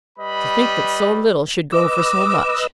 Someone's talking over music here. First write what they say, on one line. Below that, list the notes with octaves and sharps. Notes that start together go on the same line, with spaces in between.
'To think that so little should go for so much!
G3 B4 D#5 B5
B4 D#5 D6 E6